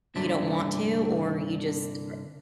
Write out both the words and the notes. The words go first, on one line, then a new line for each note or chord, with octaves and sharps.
you don't want to? Or, you just
C2 G2 D3 A#3 D4 E5